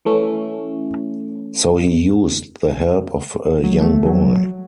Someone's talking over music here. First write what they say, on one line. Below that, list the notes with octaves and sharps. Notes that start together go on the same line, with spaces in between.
So he used the help of a young boy.
E3 A3 C#4
F#3
A3
F#3